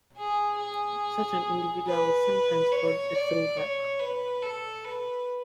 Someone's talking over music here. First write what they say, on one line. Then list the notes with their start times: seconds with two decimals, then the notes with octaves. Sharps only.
Such an individual was sometimes called a "throwback".
0.16 G#4
0.59 G#4
1.87 B4
2.72 C#5
3.15 D5
3.57 C#5
3.99 B4
4.42 A4
4.84 B4